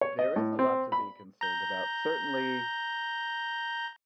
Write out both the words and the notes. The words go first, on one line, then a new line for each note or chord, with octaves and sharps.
there is a lot to be concerned about, certainly
C#5
D#5
A2
C4
B5
A#5 G6